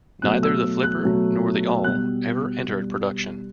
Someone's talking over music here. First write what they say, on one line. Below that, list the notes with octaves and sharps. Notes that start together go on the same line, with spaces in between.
Neither the 'Flipper' nor the 'Awl' ever entered production.
B2 F#3 A3 F#6
E6
F#6
B2 F#3 A3
B2 G3 F#6
B2 G3